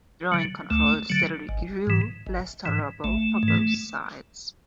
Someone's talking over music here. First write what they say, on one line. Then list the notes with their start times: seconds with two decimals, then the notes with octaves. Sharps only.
Joint control steadily grew less tolerable for both sides.
0.32 D3 F#3
0.71 D2 A3
1.10 D3 F#3
1.49 G#1
1.87 G#2 E3
2.27 G#1
2.66 G#2 E3
3.04 A1 A3
3.43 G#2
3.48 E3